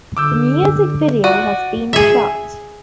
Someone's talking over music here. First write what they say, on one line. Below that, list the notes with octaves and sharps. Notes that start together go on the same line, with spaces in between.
The music video has been shot.
D3 D6 E6 G6
F#4 D5 D#7
G#4 E5